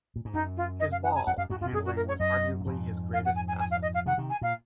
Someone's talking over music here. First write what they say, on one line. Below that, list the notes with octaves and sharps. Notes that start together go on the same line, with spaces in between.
His ball handling was arguably his greatest asset.
A#2
G#2
F#2 D#4
F4
D#5
F5
F#5
G#5
F2 F#5
F#2 F5
F2 G#2 F#4
F#2 F4
F#2 G#4
F#4
A#4
C#5
F#2 D#5
A#2
F2 G#2
F5
F#5
G#5
G#5
G#5
F5
D#5
F5
C3 D#3 F#5
C3 D#3
G#5
A#2 F5